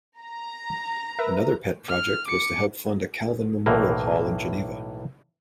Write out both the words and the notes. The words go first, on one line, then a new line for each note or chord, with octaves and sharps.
Another pet project was to help fund a Calvin memorial hall in Geneva.
A#5
A#4 B4 E5
F6
D6 C#7
B1 A2 E3 A#3